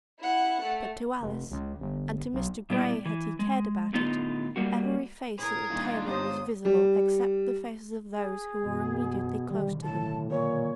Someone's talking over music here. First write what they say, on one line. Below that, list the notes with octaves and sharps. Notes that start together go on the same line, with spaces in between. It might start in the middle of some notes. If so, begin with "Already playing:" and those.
But to Alice,--and to Mr. Grey, had he cared about it,--every face at the table was visible except the faces of those who were immediately close to them.
E4 F#5
A3
F1
C#2
G1
B1
A#2 G3 B3 E4 D5
E3
G#3
A2 D3 B3 D#4 F4 D#5
G3 A#3 F#4
A2 G#4 A#4 B4
G2 A#2 D#3 D4 D#4 F4
G1 C5 D#6 A#6
G3
G#4
F#2 B2 E3
B2 D3 D#3 G3
A2 A5
A#2 C#5